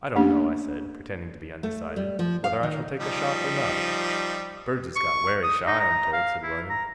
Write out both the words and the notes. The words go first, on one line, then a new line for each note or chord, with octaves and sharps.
'I don't know,' I said, pretending to be undecided, 'whether I shall take a shot or not.' 'Birds is got wery shy, I'm told,' said William.
A3 A#3 C#4 D4 G4
A3
G3
F3
F5
D#3
F3 G3 D#4
C#6
D#6
D#4
A#5
F5
E4
A#5